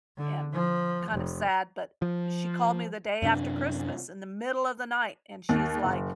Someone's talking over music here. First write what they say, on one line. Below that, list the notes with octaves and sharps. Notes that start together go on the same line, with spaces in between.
and kind of sad, but, she called me the day after Christmas in the middle of the night and she's like,
D3
F3
F1
F3
F#2 C3 C#4 D4
D#2
F#1